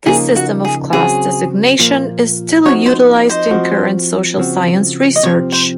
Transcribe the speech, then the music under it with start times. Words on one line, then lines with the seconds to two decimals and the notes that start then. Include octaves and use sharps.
This system of class designation is still utilized in current social science research.
0.06 C#3 F3 A#3 D#4 G#4
0.36 F#4
0.65 G#4
0.92 C#3 F#3 C4 F#4 G#4
1.79 A#2 F3 A#3
2.65 F3 C4 D#4 F#4 C#5
2.86 C5
3.29 C5 D#5
3.51 F3 C4 F#4
4.37 C#3 F3 C4 F#4
5.16 D#5
5.23 C3 F3 C4 C#5
5.52 C5